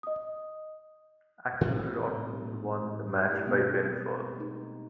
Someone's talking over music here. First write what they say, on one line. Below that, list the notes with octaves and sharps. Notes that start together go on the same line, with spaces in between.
Axl Rotten won the match by pinfall.
D#5 D#6
A2 C3 E3 G3
G3 A3 E4 G4
B2 G3 G#3 B3 C4
A3 D#4